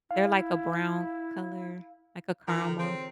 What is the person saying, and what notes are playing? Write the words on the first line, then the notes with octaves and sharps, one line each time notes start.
They're like a brown color, like a caramel.
E4 F5
D#3 E3 F4 C6
D3 A4 A#5
C4 G#4 C#5